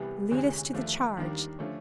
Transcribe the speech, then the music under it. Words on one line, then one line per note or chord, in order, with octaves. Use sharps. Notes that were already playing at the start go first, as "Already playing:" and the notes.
Lead us to the charge!
Already playing: C2 C3 E3 G3 B3
D2 C3 E3 G#3 C#4
D#2 D3 F3 A3 D4
D#2 D#3 G3 A#3 D4
D3 F3 A3 C#4